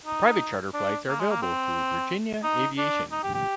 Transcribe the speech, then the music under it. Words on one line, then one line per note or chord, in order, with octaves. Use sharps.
Private charter flights are available through Virginia Aviation.
D#4
D4
A#3
G#3
A#3
C4
D#4
D4
D#4
G4
G4